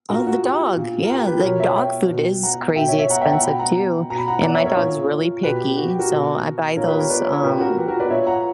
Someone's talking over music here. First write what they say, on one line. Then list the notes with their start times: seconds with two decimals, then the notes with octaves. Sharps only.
Oh, the dog. Yeah. Like, dog food is crazy expensive too. And my dog's really picky, so I buy those, um,
0.09 A#2 F#4 A#4
0.27 F#4
0.43 G4
0.76 A#2
1.03 A#4
1.10 G4
1.26 G4 B4
1.43 B2 A#4 C#5
1.60 C#5 E5
1.76 E5 G5
2.09 B2
2.43 F#5 A#5
2.76 B2 E5 G5
2.88 C#5 E5
2.99 C#5 E5
3.10 F#5 A#5
3.21 E5 G5
3.32 F#5 A#5
3.43 B2 G5 B5
3.59 F#5 A#5
4.10 B2 A#5
4.18 B5
4.28 F#5 A#5
4.43 D5 F#5
4.55 C#5 E5
4.66 A#4 C#5
4.77 A#2
5.43 B2 G4 B4
5.60 G4
5.77 F#4
5.87 G4
5.99 F#4 A#4
6.10 B2
6.77 A#2 A#4 C#5
6.87 G4 B4
6.99 A#4 C#5
7.10 B4 D5
7.21 A#4 C#5
7.32 A#4 C#5
7.43 A#2 G4 B4
7.60 F#4 A#4
7.77 G4 B4
7.88 F#4 A#4
8.00 B4 D5
8.10 A#2 C#5 E5
8.27 F#5 A#5